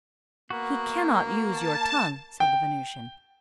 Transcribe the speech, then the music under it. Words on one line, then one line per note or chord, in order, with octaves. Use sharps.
"He cannot use your tongue," said the Venusian.
A#3 B3 F#4
A5
G5